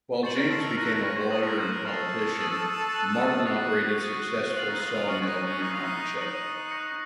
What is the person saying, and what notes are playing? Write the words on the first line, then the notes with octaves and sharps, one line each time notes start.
While James became a lawyer and politician, Martin operated a successful sawmill near Monticello.
C5 C#6 A6 C#7 F#7
A#4
A4
A#4
A#4 C#6 F#6 A#6 D#7
A4
A#4
C#5
C5
A4 D#6 A#6 D#7 F#7
A#4
C5
A#4
A4 C#6 F6 A6 C7 F7
D#6 A6 D#7 F#7
F#6 A6 D#7 F#7
F#4 A6 C7 F7
D#6 A6 C7 D#7
F4 F#6 A6 C7 F#7
D#4
F4
F4
F#4 C#6 A6 D#7 F#7
C#4
D#4
C#4
D#4 D#6 F#6 C7
F4
D#4
D#4 A6 C#7 F#7
C#6 F#6 A#6 C#7